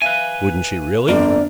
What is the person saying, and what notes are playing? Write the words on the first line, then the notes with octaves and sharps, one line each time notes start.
"Wouldn't she really?"
B4 E5 F5 G#5
G1 F2 D3 A#3 D5